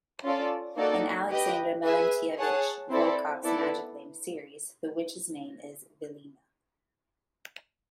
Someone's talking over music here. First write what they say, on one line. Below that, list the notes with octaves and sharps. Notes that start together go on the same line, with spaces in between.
In Alexander Melentyevich Volkov's Magic Land series, the Witch's name is Villina.
C#4 F4 A4 D5
A#3 D#4 F#4 A4 D5
G4 B4 D#5 G5
G#4 B4 E5 G#5
G#4 C#5 F#5 A5
C4 E4 A4 D5
B3 E4 A4 D5